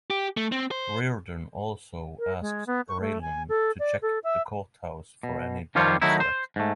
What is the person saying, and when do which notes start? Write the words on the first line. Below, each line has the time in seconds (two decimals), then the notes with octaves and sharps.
Reardon also asks Raylan to check the courthouse for any bomb threat.
0.10 G4
0.37 A3
0.52 C4
0.71 C5
2.18 A#4
2.41 G#3
2.67 B3
2.89 C#6
3.00 A3
3.21 G#5
3.49 A4
3.79 D5
4.02 A4
4.24 E5
5.23 B2
5.75 D#3 F3 G3 F4 C5 C#5
6.02 D#3 F#3 A3 D#4 E4
6.20 C5
6.56 G#2 A3